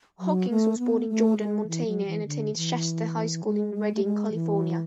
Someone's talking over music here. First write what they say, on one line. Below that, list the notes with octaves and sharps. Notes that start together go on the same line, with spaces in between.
Hawkins was born in Jordan, Montana and attended Shasta High School in Redding, California.
F#3
A3
B3
A3
G#3
E3
F#3
E3
D3
E3
G#3
G#3
A3
G#3
E3